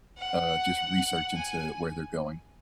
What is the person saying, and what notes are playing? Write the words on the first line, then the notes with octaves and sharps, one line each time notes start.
uh, just research into where they're going.
F#5
G#5